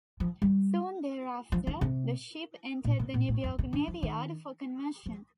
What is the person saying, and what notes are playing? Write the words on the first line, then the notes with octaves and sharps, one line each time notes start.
Soon thereafter, the ship entered the New York Navy Yard for conversion.
F3
G3
F3
D#3
C3
A#2
C3
A#2
A2
F2
C3
D3
F3
D#3
F3